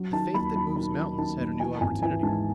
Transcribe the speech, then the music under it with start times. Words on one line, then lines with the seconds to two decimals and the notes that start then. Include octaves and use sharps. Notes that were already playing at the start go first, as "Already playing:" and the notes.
The faith that "moves mountains" had a new opportunity.
Already playing: F#3
0.13 D#3 A5
0.34 D#2 B5
0.55 F#3 A5
0.76 D#3 B5
0.97 D#3
1.18 D#3 A5
1.39 D#2
1.60 E3 G#5
1.76 A5
1.81 G#1 G#5
2.02 E3 G#5
2.23 G#2 A5